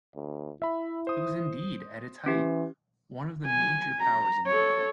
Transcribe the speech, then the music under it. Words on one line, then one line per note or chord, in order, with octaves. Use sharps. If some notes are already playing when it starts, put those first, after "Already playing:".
It was indeed, at its height, one of the major powers in Europe.
D2
E4 E5 B5
C5 D#6
E3 C#4 G4
G#5
A#5
A4 C#5